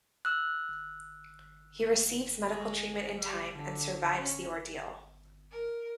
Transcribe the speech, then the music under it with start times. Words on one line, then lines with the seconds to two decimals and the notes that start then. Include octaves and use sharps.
He receives medical treatment in time and survives the ordeal.
0.25 E6 F#6
2.49 G#3
3.20 G3
3.56 D3
4.18 C#4
5.50 A#4